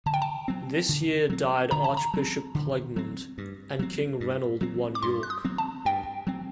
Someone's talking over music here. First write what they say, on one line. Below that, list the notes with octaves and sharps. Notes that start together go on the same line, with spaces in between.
This year died Archbishop Plegmund; and King Reynold won York.
D3 A5
G5
A5
F#3 C4
D3
F#3 C4
D3 A#5
A5
A#5
F#3 C4
D3
F#3 C4
G2
F#3 C4
G2
F#3 C4
D6
G2 C6
F#6
D#6
F#3 C4
A5
G2 G5
F#3 C4